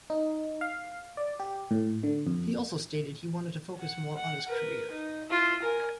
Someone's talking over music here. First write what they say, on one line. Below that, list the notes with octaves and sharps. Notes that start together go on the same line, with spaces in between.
He also stated he wanted to focus more on his career.
D#4
F5
D5
G4
A2
D3
F2
F#5
F#5
A#4 B4
D#4
E4 F4
A#4 G#5